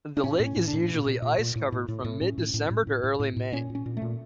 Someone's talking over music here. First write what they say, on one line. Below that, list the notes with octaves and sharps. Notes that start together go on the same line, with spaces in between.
The lake is usually ice-covered from mid-December to early May.
D4
A2 C#4
A2
C#4
A2
D4
A2
A#2
A#2
A#2
A#2
A2
A2
A2
A2
A2 C#4
A2
A2
A2
A2
A2
A2
A2
A#2 C#4
A#2
C#4
A#2
A3
A#2